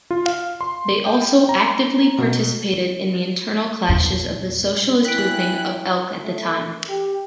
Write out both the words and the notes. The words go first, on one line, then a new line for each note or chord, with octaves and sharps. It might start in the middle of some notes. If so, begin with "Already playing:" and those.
They also actively participated in the internal clashes of the Socialist Grouping of Elche at that time.
F4
F5
C6
G5
A#5
B2
E2 A#2
E3 G5 F#6 B6 D7
A3
G4